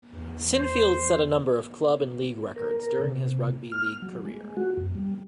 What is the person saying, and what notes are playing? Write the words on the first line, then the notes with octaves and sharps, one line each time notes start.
Sinfield set a number of club and league records during his rugby league career.
E2
C5
A#4
A#4
C3
F6
F#3
G#3
F#4
F#2
G3